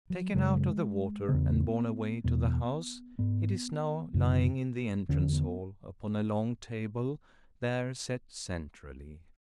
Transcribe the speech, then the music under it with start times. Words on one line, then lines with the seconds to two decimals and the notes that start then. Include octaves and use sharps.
Taken out of the water, and borne away to the house, it is now lying in the entrance-hall, upon a long table there set centrally.
0.10 F#3
0.35 F#2 C#3 G#3
1.29 E2 C#3 B3
2.24 E2 B2 B3
3.19 G#2 B3
4.14 F#2 C#3
5.09 E2 D3 C#4
5.33 B3